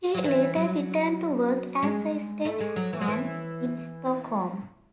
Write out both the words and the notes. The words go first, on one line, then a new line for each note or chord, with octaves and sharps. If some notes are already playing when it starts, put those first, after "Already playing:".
He later returned to work as a stagehand in Stockholm.
F#3
E3
F#3
G#3
A3
G#3
F#3
E3
F#3
E3